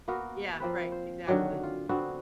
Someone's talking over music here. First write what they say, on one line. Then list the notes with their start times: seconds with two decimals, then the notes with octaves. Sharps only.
Yeah, right, exactly.
0.08 A#3 B3 F#4 A#4
0.60 F3 A#3 C4 B4
0.92 C5
1.27 D3 D#3 F#3 G4
1.63 F4
1.89 D3 B3 C4 F#4